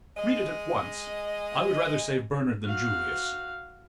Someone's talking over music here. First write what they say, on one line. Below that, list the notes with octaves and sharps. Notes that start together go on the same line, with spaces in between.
"Read it at once; I would rather save Bernard than Julius."
G#3 D#5
F#4 F5